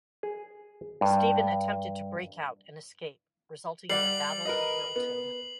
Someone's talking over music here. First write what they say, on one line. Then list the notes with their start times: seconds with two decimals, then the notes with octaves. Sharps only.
Stephen attempted to break out and escape, resulting in the Battle of Wilton.
0.23 G#4
1.01 G2
3.89 G3 D5 F#5 C7 F#7
4.45 A#4 B4 D#5
4.96 B3